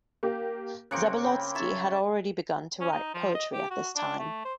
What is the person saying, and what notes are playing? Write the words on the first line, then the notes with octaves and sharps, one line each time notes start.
Zabolotsky had already begun to write poetry at this time.
A#3 G4
C#3 A#3 C4 F#6 C#7 D7
G5 B5
C#5 E5 A5
C#4
D#4
F3
D#5
G4
F#4
D4
A3
C5